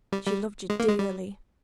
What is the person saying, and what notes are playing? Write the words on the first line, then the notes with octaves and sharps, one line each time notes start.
She loved yo' dearly.
G3
G3
G#3
A#3
G#3
G3